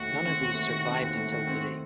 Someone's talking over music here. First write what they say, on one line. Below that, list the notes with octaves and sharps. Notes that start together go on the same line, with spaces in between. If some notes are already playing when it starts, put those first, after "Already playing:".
None of these survived until today.
Already playing: D#2 A3 F#4
D#3
C4
D#2
A3
D#3
C4
D#2 F#4
A3
D#3
C4